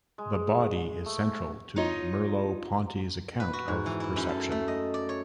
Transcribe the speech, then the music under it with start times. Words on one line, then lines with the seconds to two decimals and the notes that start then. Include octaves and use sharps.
The body is central to Merleau-Ponty's account of perception.
0.18 G#3
1.06 A3
1.76 D#4 F4 C#5 D#5
3.40 B4
3.53 F#4
3.68 G#2
3.86 E3
4.00 E4
4.16 F#2
4.29 A4
4.52 A3
4.68 D#5
4.94 D5
5.09 C#5